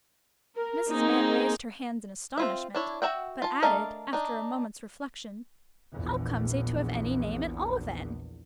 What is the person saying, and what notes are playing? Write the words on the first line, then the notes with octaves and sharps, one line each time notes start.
Mrs. Mann raised her hands in astonishment; but added, after a moment's reflection, 'How comes he to have any name at all, then?'
A#4
A#3 C4 D#4 G#4
C4 F4 E5
D4 E4 C#5
F#4 A#4 E5 F#5 G5
F4 A5
A3 D4 A#4 D#5 F5
D4 D#4
A#1 E2